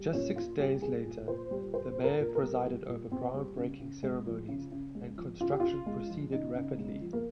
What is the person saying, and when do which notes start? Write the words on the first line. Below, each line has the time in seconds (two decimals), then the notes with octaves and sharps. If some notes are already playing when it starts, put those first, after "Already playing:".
Just six days later, the Mayor presided over groundbreaking ceremonies and construction proceeded rapidly.
Already playing: G3
0.13 A#2 C#4
0.36 A#2 F4
0.59 G3 G4
0.82 G3 G#4
1.05 A#2
1.28 A#2 C5
1.51 G3
1.74 G3 C5
1.97 A#2
2.04 A#4
2.20 A#2
2.35 A#4
2.43 G3
2.65 G3
2.88 A#2
3.11 A#2 C4
3.34 G3
3.57 C#3
3.80 C#3
4.03 G#3
4.26 F3
4.49 C#3
4.72 C#3
4.95 G#3
5.17 F3
5.40 C#3 F4
5.50 G4
5.60 C#3 F4
5.86 G#3
6.09 F3
6.32 C#3 D#4
6.55 C#3
6.78 G#3
7.01 F3
7.13 A#3